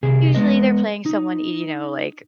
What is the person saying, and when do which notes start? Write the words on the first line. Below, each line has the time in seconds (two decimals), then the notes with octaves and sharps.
usually, they're playing someone, y you know, like,
0.03 C2 C3 G#4
0.35 G#3 B3 D#5
1.06 D#4